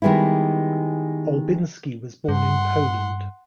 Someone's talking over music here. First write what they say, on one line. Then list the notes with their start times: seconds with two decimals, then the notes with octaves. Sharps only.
Olbinski was born in Poland.
0.02 D#3 G3 G#3 B3 E4
2.28 G2 F#5 C6